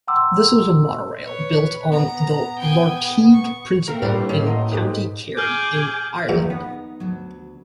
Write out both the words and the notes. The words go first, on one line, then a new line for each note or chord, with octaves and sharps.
This was a monorail built on the Lartigue principle in County Kerry in Ireland.
F#5 G5 A#5 C6 D6 E6
B4 C#5
B3 A#5
G5 G#5
C#6
A3 A#3 C4 A#4
A2 G3 A#3 D4 F4 G4 B4
A#3 C#4 A#4 D#5
D#5 F#5 A#5 C6
G#2 G4 A4 B4
G#4 D6 F6 G6
E2 D#3 F#3 A3 A#3
B3 D#4
D2 F#3